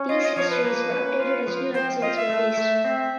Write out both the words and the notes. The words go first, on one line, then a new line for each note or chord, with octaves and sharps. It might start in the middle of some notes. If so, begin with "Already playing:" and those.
These histories were updated as new episodes were released.
Already playing: C#4
F4 D#5
D#5
F3 C#5
B4
A#3
C#4
F4
F3
C4 C5
F4 D#5
E5
A3
A3
C4